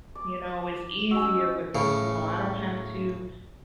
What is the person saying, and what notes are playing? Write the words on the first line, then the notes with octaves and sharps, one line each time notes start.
You know, it's easier with the small, I don't have to
D5
C#4 D#4 F#4 E6
A2 C#3